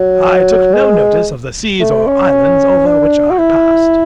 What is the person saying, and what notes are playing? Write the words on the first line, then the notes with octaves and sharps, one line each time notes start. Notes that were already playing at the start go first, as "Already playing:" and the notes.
I took no notice of the seas or islands over which I passed.
Already playing: F#3
G#3
A3
C#4
D4
F#4
E4